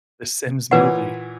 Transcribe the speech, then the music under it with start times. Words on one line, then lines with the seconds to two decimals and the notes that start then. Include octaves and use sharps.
The Sims movie
0.71 A#2 E3 B4 C#5 F#5